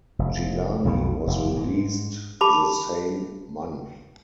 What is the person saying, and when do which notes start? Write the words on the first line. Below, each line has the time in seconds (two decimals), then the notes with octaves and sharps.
Gilani was released the same month.
0.19 F1
0.85 B1 F2 B2 B3
1.27 F1
1.56 G#2
2.41 G4 A5 B5 D6